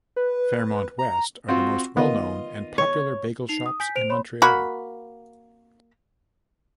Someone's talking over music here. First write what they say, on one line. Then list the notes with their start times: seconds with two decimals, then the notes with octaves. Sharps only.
Fairmont West are the most well-known and popular bagel shops in Montreal.
0.16 B4
0.99 A#5
1.48 C4 F4 F#4
1.97 D#3 B3 F4 D#5
2.78 C#5
3.49 D#4 C7 F7
3.66 D#6
3.80 G#5 G6 B6
3.96 C5 D7 F7
4.10 C#5 B5 C6
4.42 A#3 F#4 B5